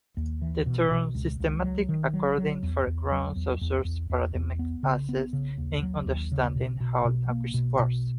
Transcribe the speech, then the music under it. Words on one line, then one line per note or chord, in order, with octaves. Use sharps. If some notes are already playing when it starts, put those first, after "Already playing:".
The term "systemic" accordingly foregrounds Saussure's "paradigmatic axis" in understanding how language works.
D#2
E3
B2
B2
C#2
C#2
F#3
D#3
F#3
F#3
E2
E2
F#3
E2
E2
E2
E2
E2
B3
C#3
B3
C#3
D#2
F#3
D#2
C#3
B2
B2
B2
A#3
B2
B2